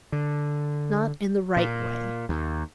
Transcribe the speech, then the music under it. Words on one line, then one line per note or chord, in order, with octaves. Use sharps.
'Not in the right way.
D3
A#2
D#2